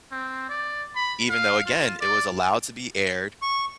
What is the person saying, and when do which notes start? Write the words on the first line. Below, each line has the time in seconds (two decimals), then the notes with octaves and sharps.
even though, again, it was allowed to be aired,
0.12 C4
0.49 D5
0.95 B5
1.30 F5
1.66 F4
2.01 D5
3.42 C#6